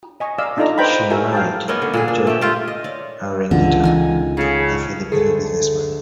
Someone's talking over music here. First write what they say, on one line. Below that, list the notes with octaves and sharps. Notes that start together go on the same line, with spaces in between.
She married Jorge Araneta, a Filipino businessman.
D#5 G#5 C#6
D5 D#5 F5 E6
D4 D#4 F4 A4 D5 A#5
B4 C5 D5 G5 A#5 B5
E4 F#4 G#4 A#4 E5 G#5
F5 G5 A5
A#3 B3 C#4 D#4
D3
A#2 D3 G#4
D4
A3 G4
A3 F4 G4
D#5
C#5 D5
C#2 D3 E3
D#3 E3 G#5
C#3 G#4 A4
D2 G#4 A4